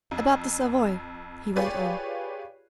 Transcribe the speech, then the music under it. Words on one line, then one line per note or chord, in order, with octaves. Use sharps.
"About the Savoy," he went on.
F2
F4 G4 G#4 B4 C#5 D5